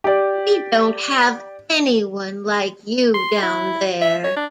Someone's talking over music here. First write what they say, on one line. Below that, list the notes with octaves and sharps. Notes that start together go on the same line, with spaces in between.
We don't have anyone like you down there.
G4 D5
C6
E4
E5
C#5
D4